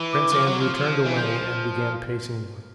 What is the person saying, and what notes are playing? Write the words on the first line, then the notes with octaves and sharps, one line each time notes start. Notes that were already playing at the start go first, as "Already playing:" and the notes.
Prince Andrew turned away and began pacing the room.
Already playing: E3
D6
F3
F#3
F3
F3
E3
F3 G6